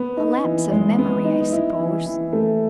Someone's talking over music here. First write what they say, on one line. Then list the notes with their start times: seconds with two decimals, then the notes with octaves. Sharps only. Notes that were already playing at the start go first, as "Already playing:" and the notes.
A lapse of memory, I suppose.
Already playing: B3
0.17 D#4
0.44 E3
0.71 G#3
0.98 B3
1.25 D#4
1.52 E4
1.79 E3
2.06 E3
2.33 A3